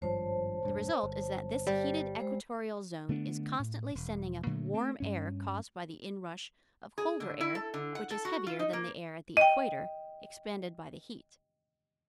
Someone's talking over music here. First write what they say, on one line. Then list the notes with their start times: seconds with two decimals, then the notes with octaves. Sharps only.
The result is that this heated equatorial zone is constantly sending up warm air caused by the inrush of colder air, which is heavier than the air at the equator, expanded by the heat.
0.02 G#1 G2 F3 C5 C#5 A5
0.63 E1 G2
1.03 G1
1.67 G3
2.20 G#3 C5
3.09 D3 A3 B3 D4
3.59 A2
3.95 E1
4.46 A#2 D3 F#3 A3
4.74 A3 C4
5.00 G2 C#4
6.98 G#4
7.20 D3
7.41 E4
7.55 A4
7.74 D3
7.95 F#5
8.10 A4
8.25 F#4
8.47 F4
8.59 D#4
8.73 A#3
9.37 D#5 G5